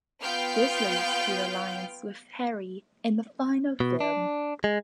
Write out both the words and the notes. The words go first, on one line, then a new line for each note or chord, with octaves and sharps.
This leads to the alliance with Harry in the final film.
B3 F4 F5 G5 F6 G6
B2
D4
G#3